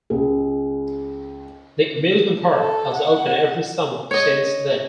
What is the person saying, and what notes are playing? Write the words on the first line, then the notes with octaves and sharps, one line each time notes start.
The amusement park has opened every summer since then.
C#2 G#4
A4
F#5
C#5 D#5